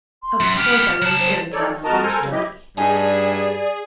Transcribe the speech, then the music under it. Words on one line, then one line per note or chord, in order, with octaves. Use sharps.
Of course I was ill-dressed and dirty.
C6
F#2
B3 G4 F6
F#3 A5
C5
D#4 A4 C#5 D5
D#3
F2 F#4 A#4 D#5 A5 A#5
A4 A#4 C5 G#5 A#5
C#3
F#3 E4 G4 D#5
G2 A3 D#4 G#4 D5 G#5